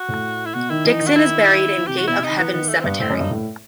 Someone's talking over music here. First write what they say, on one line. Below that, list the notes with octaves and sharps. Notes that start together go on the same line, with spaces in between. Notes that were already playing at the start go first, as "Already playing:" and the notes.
Dixon is buried in Gate of Heaven Cemetery.
Already playing: F#4
A2
E4
B2 F#4
D#3 E4
E3 D#4
D#3
F#4
E4
E3
C3 G4
E3 F#4
B2 E4
C3
D#3 D#4
E3 B3
D#3 B3
A3
C4
G2 B3
A2 C4
F#2
D#4
G2
A2